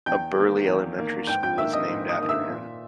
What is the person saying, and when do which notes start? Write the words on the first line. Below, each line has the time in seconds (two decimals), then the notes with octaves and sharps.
A Burley elementary school is named after him.
0.06 E2 G5 G6
0.38 D#3 A#3
0.67 E2
0.97 D#3 A#3
1.27 G#2 G5 G6
1.43 G5 G6
1.58 D#3 A#3 E5 E6
1.73 D#5 D#6
1.88 G#2
2.08 D#5 D#6
2.19 D#3 A#3 D#6
2.29 E5 E6
2.49 A#2